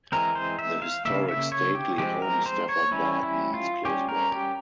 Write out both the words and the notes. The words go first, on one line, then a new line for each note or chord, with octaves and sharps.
The historic stately home Stafford Barton is close by.
E3 G#3 C4 A#4
C5
E5
F5
C#3 F3 A#3 E5
E5
C#5
G4
F3 G#3 C4 G4
A#4
C5
C#5
E3 G3 C#4 E4
E4
F4
G3 C#4 G4
A#4
G4